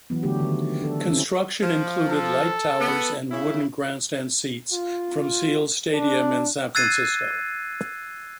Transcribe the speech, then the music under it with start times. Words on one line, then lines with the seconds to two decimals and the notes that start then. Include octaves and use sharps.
Construction included light towers and wooden grandstand seats from Seals Stadium in San Francisco.
0.10 E3 F#3 B3
0.23 D3 F#3 A3 D4 F#4 G4
0.40 D3 D#3
0.81 D4 A4
1.10 C4 C#4 E4
1.62 F3
2.09 A4
2.80 B3
3.31 C#3 E4
4.72 F4
5.93 D4
6.75 E6 F#6 G#6 A6 C7 D#7